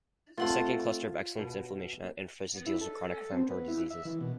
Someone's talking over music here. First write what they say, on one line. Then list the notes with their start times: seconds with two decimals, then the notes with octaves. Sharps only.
The second Cluster of Excellence "Inflammation at Interfaces" deals with chronic inflammatory diseases.
0.37 A3 C4 F4 F#5 C6
1.37 B2
2.66 E4
2.81 A4
3.32 C4
3.49 B3
3.68 E4
3.90 E5
4.05 E3
4.21 B2